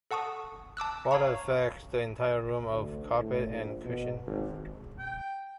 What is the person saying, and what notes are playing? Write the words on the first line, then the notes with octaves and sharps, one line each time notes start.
Water affects the entire room of carpet and cushion.
A4 F#5 A5 C#6 D#6
A5 D6 E6 F#6
C#5 F5 A5 A#5 C#6
D2
A2
A#1
B2
G#1
G5